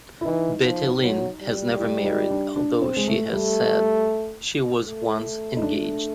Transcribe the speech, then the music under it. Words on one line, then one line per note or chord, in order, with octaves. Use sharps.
Betty Lynn has never married, although she has said she was once engaged.
E4
E3 D#4
F3
F#3
G3
E4
D#4
D4
D4
C4
G#3
A3
G3 A3
A3
D#4
D4